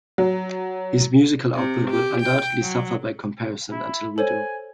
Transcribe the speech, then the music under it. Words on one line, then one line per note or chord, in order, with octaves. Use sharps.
His musical output will undoubtedly suffer by comparison until we do.
F#3
C3
G4
G5
F#3
E4
A4 C5 C#5 G#5